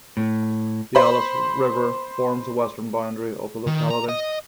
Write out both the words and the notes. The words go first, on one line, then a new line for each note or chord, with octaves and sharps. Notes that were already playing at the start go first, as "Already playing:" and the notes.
The Alice River forms the western boundary of the locality.
A2
C5 B5
D#3
A#5
D#5